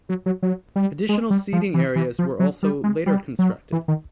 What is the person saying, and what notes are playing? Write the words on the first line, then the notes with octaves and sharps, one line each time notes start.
Additional seating areas were also later constructed.
F#3
F#3
F#3
G3
G#3
G3
F3
E3
E3
F3
F#3
G3
G#3
G3
F#3
E3
D#3